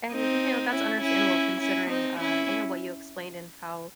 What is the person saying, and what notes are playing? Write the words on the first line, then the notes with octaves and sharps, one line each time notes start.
And, you know, that's understandable considering, uh, you know, what you explained and how
C4 D#4
C#4 E4
C#4 E4
C#4 E4
C4 D#4
C#4 E4